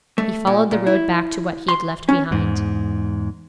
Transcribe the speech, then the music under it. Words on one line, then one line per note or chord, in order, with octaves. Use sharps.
He followed the road back to what he had left behind.
A3
A#2
A#2
E4
C6
C#4
E2 G#2